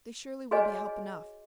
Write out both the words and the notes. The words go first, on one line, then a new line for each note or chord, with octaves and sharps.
"They surely will be help enough."
F#4 G#4 B4 C#5 D#5 G#5